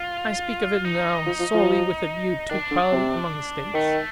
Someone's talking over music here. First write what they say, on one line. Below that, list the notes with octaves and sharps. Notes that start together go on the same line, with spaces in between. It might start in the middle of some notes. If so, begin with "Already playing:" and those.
I speak of it now solely with a view to equality among the States.
Already playing: F4
D#4
F3
F3
F3
D#3 D4
D3
C3
D#3 A3